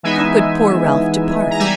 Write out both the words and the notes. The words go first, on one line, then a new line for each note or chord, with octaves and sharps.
How could poor Ralph depart?
E3 G#3 B3 D#4 E5 G#5
A#5
G3 E5 G#5